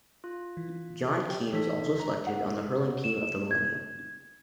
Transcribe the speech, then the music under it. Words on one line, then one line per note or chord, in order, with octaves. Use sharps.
John Keane was also selected on the hurling team of the millennium.
F4
E3
G4 G5
E3 D#4 A4 B6
A#5
F#5
E7
G#6